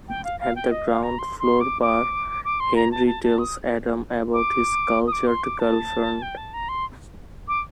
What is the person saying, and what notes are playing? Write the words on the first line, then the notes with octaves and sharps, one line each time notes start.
At the ground-floor bar, Henri tells Adam about his cultured girlfriend.
G5
F5
F5
G5
D#5
F5
A#5
C6
C6
D6
D6
D6
C6
A#5
A5
A5
A5
D#6
D6
D#6
D6
C6
D6
A5
G5
A5
A#5
C6
D6